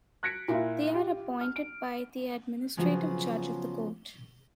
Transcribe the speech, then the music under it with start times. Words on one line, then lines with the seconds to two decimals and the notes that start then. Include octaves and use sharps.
They are appointed by the administrative judge of the court.
0.23 F#6 G#6 A#6 B6 C#7 D7
0.48 A#2 E4 F4
0.93 F4 G4
1.41 F6
1.56 D7
2.77 C#3 F3 F#3 B3 F4 G#4